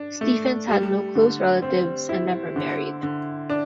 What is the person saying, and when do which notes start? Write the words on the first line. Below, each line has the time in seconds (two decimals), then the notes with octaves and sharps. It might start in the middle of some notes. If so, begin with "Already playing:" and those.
Stephens had no close relatives and never married.
Already playing: D4
0.21 A3
0.68 G3
1.15 D3
1.62 C4
2.09 E4
2.56 D3
3.03 D3
3.50 D4